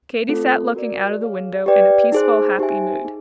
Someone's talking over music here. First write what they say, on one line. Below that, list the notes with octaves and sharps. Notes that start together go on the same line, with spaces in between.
Katy sat looking out of the window in a peaceful, happy mood.
A3 C4 F4 A4
F#4 A#4 D5
G#4 C#5 F5
G4 B4 D5 G5
D#4 G#4 C5
D#4 G4 C5 E5 G#5
D#4 G#4